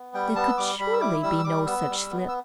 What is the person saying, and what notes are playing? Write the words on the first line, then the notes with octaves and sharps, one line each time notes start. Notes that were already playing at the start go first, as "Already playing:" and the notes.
There could surely be no such slip!
Already playing: B3
G3 G5
B3 A5
E6
G3 D6
G3 B5
E6
E4 D6
G3 E6
E6
G3 D6
B3 E6
G3
B3
E6